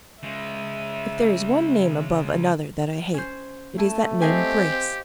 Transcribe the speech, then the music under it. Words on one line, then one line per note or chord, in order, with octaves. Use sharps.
If there is one name above another that I hate, it is that name Brace!
C#3 G#3 E5
C#4 C5
A3 E4 A5 D#7
C4 G4 D#5 F5 G#5
C5